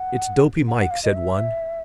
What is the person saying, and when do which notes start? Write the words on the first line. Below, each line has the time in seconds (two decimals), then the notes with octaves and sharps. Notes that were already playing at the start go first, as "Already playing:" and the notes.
"It's Dopy Mike," said one.
Already playing: F#5
0.68 F#5
0.80 F#5
0.91 F5
1.04 D#5
1.15 E5